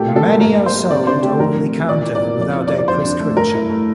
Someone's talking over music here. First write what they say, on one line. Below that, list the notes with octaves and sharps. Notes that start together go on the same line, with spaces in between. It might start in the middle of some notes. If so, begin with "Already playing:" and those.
Many are sold over-the-counter without a prescription.
Already playing: A#2 A3 G4 A4
F4
A4
A#3
G2 A#4
A#3
C5
G3
C3 D5
D4 C5
A3 G4
F2 A#4
F2
E3
A#2 D5
E4
D5
A#3
F2 D5
E4
D5
A#3
D5
F2 C5
D4
A3
G2 A#4
E4
A3